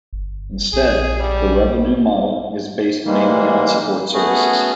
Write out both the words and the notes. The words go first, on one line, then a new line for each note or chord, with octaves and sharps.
Instead, the revenue model is based mainly on support services.
G1
A#1 G#4
G3
E3 G3 G#3 A#3
A3 B3 C#4 F#4 G#4